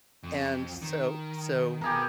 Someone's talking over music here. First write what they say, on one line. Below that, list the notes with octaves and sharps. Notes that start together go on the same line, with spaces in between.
And so so
F2
D#3
B2 G4 G#4 A#4